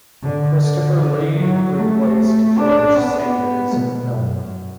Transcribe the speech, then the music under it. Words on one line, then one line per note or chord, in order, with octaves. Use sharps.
Christopher Lee replaced George Sanders in the film.
D3
D3
D3
F#3
A3
D4
B3
B2
F#2